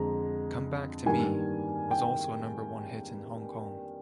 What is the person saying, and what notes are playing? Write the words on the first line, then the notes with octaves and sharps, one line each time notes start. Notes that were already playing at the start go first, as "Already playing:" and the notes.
"Come Back to Me" was also a number-one hit in Hong Kong.
Already playing: F2 D3 G#3 A#5
G2 D#3 G3 A#3 G#5
G5